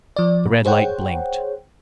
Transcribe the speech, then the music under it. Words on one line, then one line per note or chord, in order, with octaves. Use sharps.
The red light blinked.
F3 D5
A#2
G#4 C5 C#5 F#5 G5